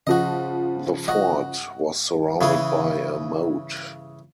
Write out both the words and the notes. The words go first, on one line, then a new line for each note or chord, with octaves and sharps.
The fort was surrounded by a moat.
C#3 F3 F#4 D#5
F#4 D#5
C#3 E3 G#4